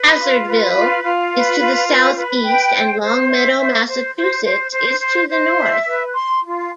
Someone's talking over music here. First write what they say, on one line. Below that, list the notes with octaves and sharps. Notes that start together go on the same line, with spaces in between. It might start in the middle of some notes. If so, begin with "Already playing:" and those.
Hazardville is to the southeast, and Longmeadow, Massachusetts, is to the north.
Already playing: B4
F4
B4
F4
F4
B4
F4
B4
B4
G5
C5
C5
E5
C5
C5
C5
C5
C5
C5
C5
E5
B4
C6
F4